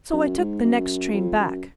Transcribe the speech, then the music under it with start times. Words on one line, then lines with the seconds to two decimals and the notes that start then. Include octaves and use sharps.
So I took the next train back.
0.13 F#2
0.38 G#2
0.64 F#2
1.13 F2
1.39 F#2